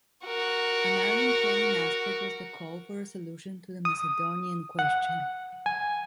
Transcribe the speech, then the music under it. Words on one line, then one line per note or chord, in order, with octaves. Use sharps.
Another important aspect was the call for a solution to the Macedonian Question.
F#4 A#4
D#6
F#5
G#5